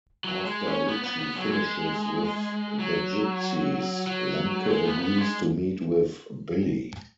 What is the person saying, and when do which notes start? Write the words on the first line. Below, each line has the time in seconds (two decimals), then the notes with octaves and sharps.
After Richie finishes with the Gypsies, Lemke agrees to meet with Billy.
0.24 F#3
0.45 G#3
0.67 C#4
0.88 B3
1.04 B3
1.20 B3
1.36 F#3
1.51 G#3
2.79 F#3
4.07 F#3
4.69 G#3
4.85 B3
5.02 B3
5.18 G#3